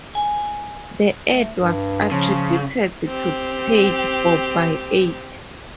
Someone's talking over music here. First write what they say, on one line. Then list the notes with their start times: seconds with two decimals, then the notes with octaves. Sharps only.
The ad was attributed to paid for by Ald.
0.15 G#5
1.33 A3
1.60 G2
2.12 C#3 F3
3.06 C4 G4